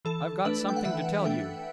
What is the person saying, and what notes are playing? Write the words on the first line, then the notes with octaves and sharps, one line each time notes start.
"I've got something to tell you."
E3 A4
A3 D4 B4
G5
F#5
E3 E5
A3 D4 G5